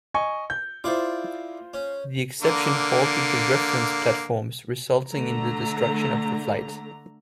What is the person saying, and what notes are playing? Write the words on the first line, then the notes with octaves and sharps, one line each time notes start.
The exception halted the reference platforms, resulting in the destruction of the flight.
D#5 G#5 C#6
G6
E4 F4 G#4 C5 D5
C#4
D3 A#3
D3 A3 A#5